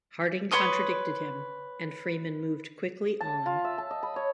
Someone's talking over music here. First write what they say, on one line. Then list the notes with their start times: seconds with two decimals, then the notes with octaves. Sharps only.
Harding contradicted him and Freeman moved quickly on.
0.51 B4 C#5 C6 D#6
3.21 A5
3.46 F4
3.65 E5
3.78 A5
3.91 D#5
4.03 B5
4.16 C#5